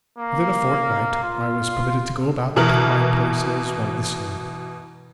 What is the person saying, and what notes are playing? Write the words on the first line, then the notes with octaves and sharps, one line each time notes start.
Within a fortnight I was permitted to go about and take my place as one of the seamen.
A#3
F4
B2 E3 A#4 F6 F#7